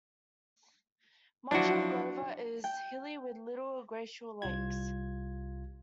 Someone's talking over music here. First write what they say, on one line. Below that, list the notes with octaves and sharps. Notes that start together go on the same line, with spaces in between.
Much of Grover is hilly with little glacial lakes.
F3 F#3 D4 E4 F#4
G5
C2 G3 F4 G#6